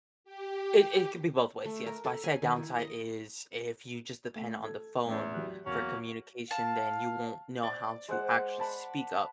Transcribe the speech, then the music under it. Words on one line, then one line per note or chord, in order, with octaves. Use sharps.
It it can be both ways, yes, but I'd say a downside is if you just depend on the phone for communication, then you won't know how to actually speak up
G4
A3
A#4
A4
G#5
D#3
E4
D#5
A3
A4 G#6
E2 A2 C#4
F#3 G4 F#6
E2 F#3 A#3 C#4
F5 A5
D5
G#3 C5 F#5
A5 B5